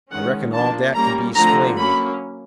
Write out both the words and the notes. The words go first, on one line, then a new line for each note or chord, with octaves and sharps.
"I reckon all dat kin be 'splained."
D#3 G#3 C#4 F#5
F3 A#3 D4 A5
G3 A#3 C#4 A#5
D3 F3 A3 C4 A#5
F#3 A#3 C#4 B5